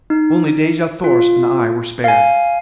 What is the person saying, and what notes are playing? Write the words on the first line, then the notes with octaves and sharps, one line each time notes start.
Only Dejah Thoris and I were spared.
D#4
F4
F5 G#5